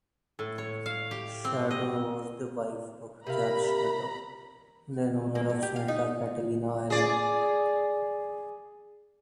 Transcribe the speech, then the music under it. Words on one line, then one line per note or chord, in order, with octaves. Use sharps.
Shatto was the wife of George Shatto, then-owner of Santa Catalina Island.
A2
C#5
F5
G4
C4
D#5
C3 A#4 F5 A#5 B5
A#3
A2
G4
F5
D#4
G#4 D5